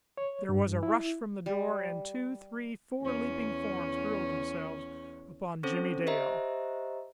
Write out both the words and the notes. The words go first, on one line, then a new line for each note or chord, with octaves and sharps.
There was a rush from the door, and two, three, four leaping forms hurled themselves upon Jimmie Dale.
C#5
G2
E4
G3
E2 C#4
C4 C#4 A4 C5
G4 C5 D#5 E5 A#5